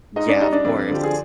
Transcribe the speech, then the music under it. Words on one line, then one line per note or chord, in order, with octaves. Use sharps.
Yeah. Of course.
G#2 D#4 D#5
D4 D5
G3 D#4 D#5
D4 D5
F2 D4 D5
D3 F3 G4
G#4